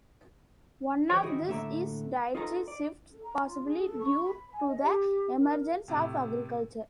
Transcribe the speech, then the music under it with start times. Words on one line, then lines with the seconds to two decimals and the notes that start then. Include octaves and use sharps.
One of these is dietary shifts, possibly due to the emergence of agriculture.
1.10 E3 G4 C#5
1.23 G#2 D#3 D#4 E4 F#4 D#5
1.48 A2 D3 A#3 E5 A#5
2.35 D#4 F4 A4 B4 G#5 A#5
2.68 D5
3.10 A4
3.23 A#5
3.43 F4
3.64 G#4
3.85 A4
4.00 C#6
4.23 B5
4.52 G#5
4.67 D#5
4.82 G4
5.38 A#4
5.88 A2 C3